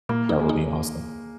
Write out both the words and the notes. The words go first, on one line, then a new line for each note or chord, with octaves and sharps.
That would be awesome.
A#2 A#3
D#4
G#3
D#4